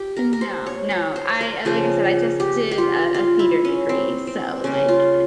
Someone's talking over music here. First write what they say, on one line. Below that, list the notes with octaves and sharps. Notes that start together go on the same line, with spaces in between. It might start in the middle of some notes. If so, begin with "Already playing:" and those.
No, no. I I like I said, I just did a a theater degree, so, like
Already playing: G4
A#4
A#4
C5
C#5
C#5
C5
A#4
C#3 F3 A#3 G#4
G4
G4
F4
F4
E4
C#4
C4
C4
C#3 G3 A#3 C#4
F4